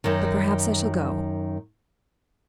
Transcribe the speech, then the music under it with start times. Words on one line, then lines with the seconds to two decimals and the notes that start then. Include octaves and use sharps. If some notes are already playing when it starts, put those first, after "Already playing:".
But perhaps I shall go.
0.04 F#2 D#3